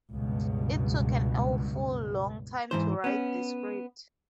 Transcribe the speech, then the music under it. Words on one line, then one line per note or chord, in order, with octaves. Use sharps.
It took an awful long time to write the script.
C#2 G2 B2
G#2 E3 C5
B3 C#4